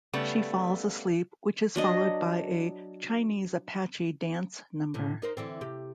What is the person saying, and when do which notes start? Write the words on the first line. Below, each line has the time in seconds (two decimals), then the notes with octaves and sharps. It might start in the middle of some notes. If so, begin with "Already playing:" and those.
She falls asleep, which is followed by a "Chinese Apache Dance" number.
0.13 C#3 G3 A3 B3
1.76 F#3 D4 D#5
4.94 A2 C3
5.22 D#4 A#4 C5
5.37 D3 E3 C4
5.61 C3 G4